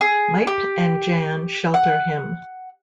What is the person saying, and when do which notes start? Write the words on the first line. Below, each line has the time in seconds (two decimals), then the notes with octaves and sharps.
Miep and Jan shelter him.
0.01 G#4
0.47 G4
1.74 F#5